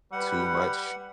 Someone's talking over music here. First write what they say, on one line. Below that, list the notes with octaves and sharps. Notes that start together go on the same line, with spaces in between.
too much.
G3 B4 F#5